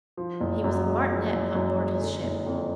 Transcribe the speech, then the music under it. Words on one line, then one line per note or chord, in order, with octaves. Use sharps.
He was a Martinet on board his ship.
F3
F#1
F#2
G#3
F3
F#1
F#2
G#3
D3
F#1
F2